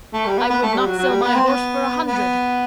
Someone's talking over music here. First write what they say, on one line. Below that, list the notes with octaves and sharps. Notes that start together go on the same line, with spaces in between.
I would not sell my horse for a hundred.
A3
G3
B3
B3
A3
G3
F#3
F#3
G3
B3
C4
B3
B3